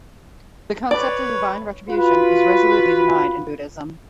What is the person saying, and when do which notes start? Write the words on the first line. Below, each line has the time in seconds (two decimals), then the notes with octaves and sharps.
The concept of divine retribution is resolutely denied in Buddhism.
0.91 B4 C#5 D5
1.89 F4 F#4 B4